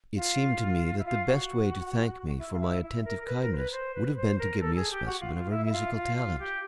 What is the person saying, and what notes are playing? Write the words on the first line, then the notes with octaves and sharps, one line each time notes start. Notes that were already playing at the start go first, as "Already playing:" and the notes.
It seemed to me that the best way to thank me for my attentive kindness would have been to give me a specimen of her musical talent.
F4
E4
F4
F#4
E4
F4
E4
E4
A#4
A#4
B4
A#4
C5
B4
C5
B4
C5
A#4
A4
G#4
G4
F#4
F4
F4
E4
E4
F4
F4
F4
G4